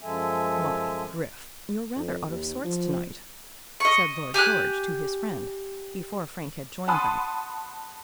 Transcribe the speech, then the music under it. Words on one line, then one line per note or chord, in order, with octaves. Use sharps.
"Why, Griff, you're rather out of sorts to-night," said Lord George to his friend, before Frank had joined them.
F#2 F3 G#3 A4 E5 G#5
F2
D#2
F3
D#5 C#6
G4 G#5 D6 F#6
F#5 A5 B5 C6 D#6